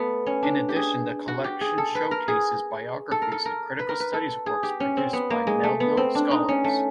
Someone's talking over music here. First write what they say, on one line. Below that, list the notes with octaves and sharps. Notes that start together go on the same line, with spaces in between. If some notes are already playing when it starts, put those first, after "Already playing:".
In addition, the collection showcases biographies and critical studies works produced by Melville scholars.
Already playing: A3 B3
C#4
D4
G4
G#4
F#4
G4
G#4
A4
B4
A#4
G#4
A4
A#4
A4
A#4
B4
A#4
B4
A4
G#4
G4
C#4
C4
B3
A#3
G#3
A3
B3
C4
D4
D#4
C#4
A3